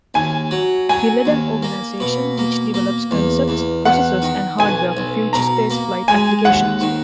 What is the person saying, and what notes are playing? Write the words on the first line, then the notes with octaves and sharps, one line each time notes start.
He led an organization which develops concepts, processes and hardware for future spaceflight applications.
D#2 G#5
F#3
F#3 G#5
D#2
A#3
B2
A#3
A#3
E2
E2
E2 F#5
D#3
B1 G#5
B1
B2 A#5
A#3
G#3 G#5
D#2 F#5
D#3